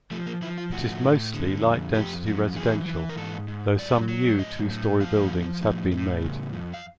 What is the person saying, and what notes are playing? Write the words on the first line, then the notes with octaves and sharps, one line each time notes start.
It is mostly light-density residential, though some new two-storey buildings have been made.
F3 A3
A#3
F3 E4
F4
A2 F#4
A2
D3
F2
F2 G4
F#3
E3 G#4
E3
A#4
G#2 A4
G#2
F#3 D5
F#3
A2 D#5
A2
F3 F5
F3
A2
A2
C#3
F2
F5